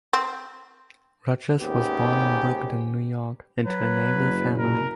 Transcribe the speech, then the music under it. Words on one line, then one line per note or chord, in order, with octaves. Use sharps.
Rodgers was born in Brooklyn, New York, into a naval family.
C4
G#1 D#2 B3 C#4 G4
F#3 B4
F#1
B2 A#4